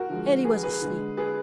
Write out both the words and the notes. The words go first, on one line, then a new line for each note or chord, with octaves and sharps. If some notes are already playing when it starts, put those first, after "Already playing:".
Elly was asleep.
Already playing: F#4 A#4
D3 F3 G#3
G#4 B4
G#4 B4
D3 G#3
G#4 B4